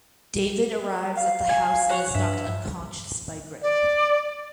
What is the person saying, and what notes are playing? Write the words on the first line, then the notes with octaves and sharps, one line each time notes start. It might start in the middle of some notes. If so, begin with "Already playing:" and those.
David arrives at the house and is knocked unconscious by Greg.
F5
G#5
F#4 C#5 F#5
G2 E4
D5